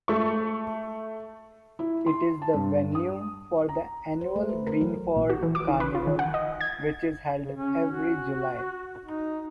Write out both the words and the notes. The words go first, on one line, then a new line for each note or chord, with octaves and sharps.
It is the venue for the annual Greenford Carnival, which is held every July.
A3 C#6
E4
C6
A5
G2
D#6
A#5
C5
A3
B4
A#4
F#3
A#1
F#4
E3
D6
D#3
B4
F4
D#3
F#5
D#5
G#6
C#3
C#4
F#4
D#4